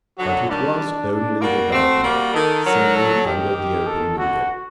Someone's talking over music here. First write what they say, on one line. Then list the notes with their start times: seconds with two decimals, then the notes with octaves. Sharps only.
But it was only the Gardener, singing under the open window.
0.19 D3 F#3 F#4
0.50 D#3 G3 D4
1.12 D4
1.42 G3 A#3 F#4
1.72 A3 C4
2.03 G3 A#3
2.34 D#3 A4
2.64 D3 F#3 A#4
2.96 A4
3.26 D#3 G4
3.57 G4
3.87 A4
4.18 D3 F#4